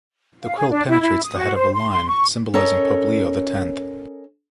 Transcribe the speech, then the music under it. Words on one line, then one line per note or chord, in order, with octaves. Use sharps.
The quill penetrates the head of a lion symbolizing Pope Leo the Tenth.
F5
G#4
D4
E4
E4
D#6
F#4
C5
C6
C6
C#6
C#4 A4 A#4 C#5 D#5